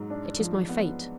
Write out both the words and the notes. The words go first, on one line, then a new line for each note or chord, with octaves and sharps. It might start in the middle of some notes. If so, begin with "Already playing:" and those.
It is my fate.
Already playing: G#2 F#3
D4
F3
B3